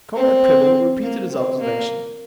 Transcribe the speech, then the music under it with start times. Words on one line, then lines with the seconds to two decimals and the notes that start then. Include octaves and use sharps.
Comrade Prebble repeated his observation.
0.16 C4
1.03 A#3
1.32 C4
1.60 A#3